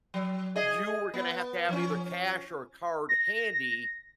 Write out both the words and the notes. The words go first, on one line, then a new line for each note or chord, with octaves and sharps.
you were gonna have to have either cash or a card handy
F#3
G#4 D#5
B3
F3 C#4
A#6